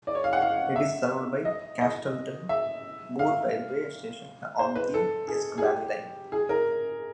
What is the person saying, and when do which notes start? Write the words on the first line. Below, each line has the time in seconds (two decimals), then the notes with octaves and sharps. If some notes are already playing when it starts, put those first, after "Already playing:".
It is served by Castleton Moor railway station on the Esk Valley Line.
0.07 D5
0.15 C#5
0.24 F5
0.33 F#5
0.42 F5
0.76 E5
1.45 D#5
1.81 D#5
2.49 E5
3.19 F5
4.59 C5
4.75 B4
4.94 A4
5.28 G#4
5.58 G#4
5.63 G4
6.32 G#4
6.49 A#4